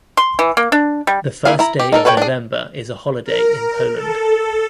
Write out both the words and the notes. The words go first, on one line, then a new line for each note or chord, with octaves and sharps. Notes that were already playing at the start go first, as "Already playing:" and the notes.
The first day of November is a holiday in Poland.
C6
E3
A#3
D4
G3
A#3 E4 G#4 E5 F5
E4 A#5
G4
D#4 A4 A#4
A4 B4 C#5 D#5 G5
D4 G#4
A#4
A4